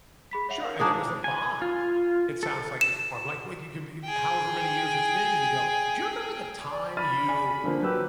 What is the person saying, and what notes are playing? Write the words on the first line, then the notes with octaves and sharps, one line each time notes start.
Sure and there was a bond, it sounds like it's formed. Like, when you could be if however many years it's been, and you go, "Do you remember the time you"
G#4 B5 B6
C#5 E5 F#5
A#4 C#5 F5
D4 D#4 G#4
G#5
F4
A4
E7
G#4 G5
D5
B5 F6 A6 D#7
D5 G#5
D3 F3 A#3
F#3 G4 B4 E6